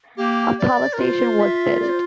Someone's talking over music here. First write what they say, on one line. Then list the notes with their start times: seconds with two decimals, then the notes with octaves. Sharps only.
A power station was built.
0.17 A#3 G4
0.59 D5
0.93 A#4
0.99 F4 C5
1.40 E5
1.81 D5
1.89 C5